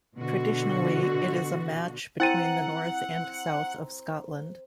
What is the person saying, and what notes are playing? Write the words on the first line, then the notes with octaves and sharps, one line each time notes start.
Traditionally it is a match between the north and south of Scotland.
B2 D3 F#4
C4 E4 F#5 A#5 A6 D#7